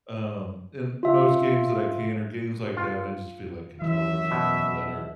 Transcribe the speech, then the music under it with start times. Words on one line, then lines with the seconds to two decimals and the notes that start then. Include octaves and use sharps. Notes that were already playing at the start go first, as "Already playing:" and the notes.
Um, and most games that I can are games like that. I just feel like controllers are kinda better
1.03 F4 E5 F5
2.77 F4
3.82 F#2 E3 F#3 E5
4.31 B2